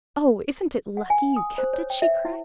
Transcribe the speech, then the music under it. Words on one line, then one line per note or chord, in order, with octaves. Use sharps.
"Oh, isn't it lucky you kept it?" she cried.
F#5
G#5
D#6
C5
C#5
G5
E5
E4